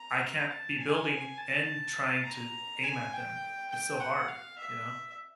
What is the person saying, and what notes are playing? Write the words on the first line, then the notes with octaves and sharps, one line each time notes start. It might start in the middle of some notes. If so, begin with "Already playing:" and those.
I can't be building and trying to aim at them. It's so hard, you know?
Already playing: A#5
A5
G#5
A5
A#5
G#5
G5
G5
F#5
F5
E5